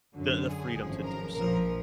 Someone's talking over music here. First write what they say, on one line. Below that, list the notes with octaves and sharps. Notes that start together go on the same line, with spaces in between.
the the freedom to do so.
F#2 D3 F#3
G#4
G#1 F#2 F3
A#4
A#1 A#2 F3 A#4